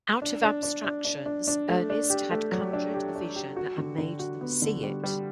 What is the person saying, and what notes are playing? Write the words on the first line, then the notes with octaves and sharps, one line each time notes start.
Out of abstractions Ernest had conjured a vision and made them see it.
D4
D4
D4
D4
D4
D4
D4
A3
D4
G4
A3
F#3
D4
G4
D4
G4
F#4
D3
D3
F#4
B3
D3
G3
G3